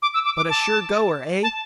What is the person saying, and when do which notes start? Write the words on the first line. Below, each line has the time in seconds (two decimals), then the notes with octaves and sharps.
"But a sure goer, eh?"
0.02 D6
0.14 E6
0.25 D6
0.37 D6
0.50 A5
1.43 A5